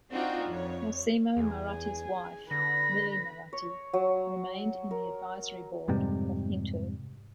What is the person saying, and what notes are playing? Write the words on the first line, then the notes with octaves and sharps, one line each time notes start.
Massimo Moratti's wife, Milly Moratti, remained in the Advisory Board of Inter.
C4 D4 D#4 F4 F#4 G5
F2 C#5
E2 G#4 G#5
D3 B4 B5 A#6
C#5
F#3
A#4
F2 G#2 C3 G3